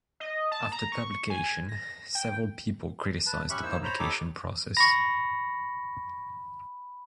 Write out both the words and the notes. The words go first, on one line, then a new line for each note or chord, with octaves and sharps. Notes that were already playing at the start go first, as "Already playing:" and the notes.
After publication, several people criticized the publication process.
D#5
A5
A#5
C#6
G#5
A#6
G5
B4 A5
C#4 G4 E5 B5 C#6 F#6
A#3 D#4 E4 C5 E6
C5 C#5 A#5 B5
D#4 G4 A4 C#5 B5 D6
B5 C#6 A#6